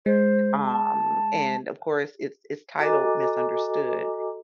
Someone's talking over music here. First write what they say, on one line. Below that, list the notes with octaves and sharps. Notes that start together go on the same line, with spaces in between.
um, and, of course, it's it's titled Misunderstood.
G#3 C5
A5
F#4 A4 D#5 G#5 A#5 D6